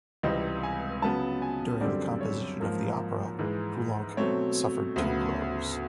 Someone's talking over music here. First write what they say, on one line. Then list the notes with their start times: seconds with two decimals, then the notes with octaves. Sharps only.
During the composition of the opera, Poulenc suffered two blows.
0.23 C#2 C3 E3 G3 C4 D#5
0.63 G#5
1.02 C#3 F#3 B3 A5
1.42 G#5
1.81 F#2 D3 G3 C4 D5
2.21 C#5
2.60 G#2 F3 A#3
3.39 G#2 E3 G#3
4.17 B2 F#3 A3 C4 C#5
4.96 D2 C#3 F#3 B3